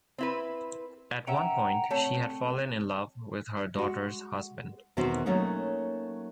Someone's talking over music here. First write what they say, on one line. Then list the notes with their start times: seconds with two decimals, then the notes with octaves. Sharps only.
At one point she had fallen in love with her daughter's husband.
0.18 C4 E4 B4
1.27 C#4 E5 F#5 G5 A#5
1.91 A3 C4 C#5
3.75 G#3 F#4
4.97 E2 B2 D#3 C4 F#4 C5
5.26 F#3 A3 A#3 C#4 D#4